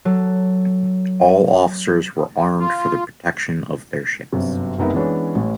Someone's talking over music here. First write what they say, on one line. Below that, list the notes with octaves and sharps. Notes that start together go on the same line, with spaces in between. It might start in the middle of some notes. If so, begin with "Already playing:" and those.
All officers were armed for the protection of their ships.
F#3 A4
F4
G1 F#2 C3
F#1 C2 B3 D#4 A#4 E5
E3 G#3 B3 C#4 D4 E4
A1 A2